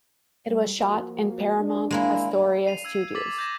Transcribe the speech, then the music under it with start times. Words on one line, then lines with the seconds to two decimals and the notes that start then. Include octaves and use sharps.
It was shot in Paramount Astoria studios.
0.47 G3
0.79 F3 A#3 F#4
1.60 D4
1.91 G#3 A#3 E4
2.66 C7 D#7 F7
2.85 E6 G#6 D#7
3.15 D6 E6 A6 B6 F#7
3.38 G6 G#6 A#6 E7